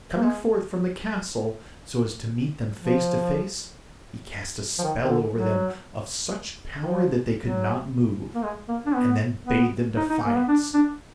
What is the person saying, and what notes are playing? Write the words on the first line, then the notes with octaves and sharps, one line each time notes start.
Coming forth from the castle so as to meet them face to face, he cast a spell over them of such power that they could not move, and then bade them defiance.
A#3
G#3
F3
F3
D#3
D#3
D3
F#3
D#3
F3
F#3
A#3
G#3
A#3
D4
B3
B3
D#4
D#4
A#3
B3
D4
D4